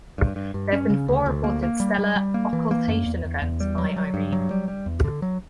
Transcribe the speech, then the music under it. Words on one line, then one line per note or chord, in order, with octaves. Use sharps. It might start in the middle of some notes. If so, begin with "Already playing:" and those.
There have been four reported stellar occultation events by Irene.
G2
G2
G2
C#4
C#3
D2
D2
A#3
A#3
G3
G3
G3
A#3
E3
A#3
F#2
E2
E2
E2
G3
F#3
F#3
G2
F#3
G3
G3
E2
D3
F#3